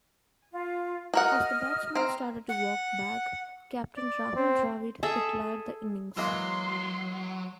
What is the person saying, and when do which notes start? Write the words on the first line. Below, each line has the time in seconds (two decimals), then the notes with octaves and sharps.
As the batsman started to walk back, captain Rahul Dravid declared the innings.
0.52 F4
1.14 F#4 A#4 D#5 F#5 F6
1.95 C4 A#5
2.49 F#5
3.97 D5
4.35 C4
5.03 G#4 A4 E5
6.17 E3 F#3 G#3 A#3 C6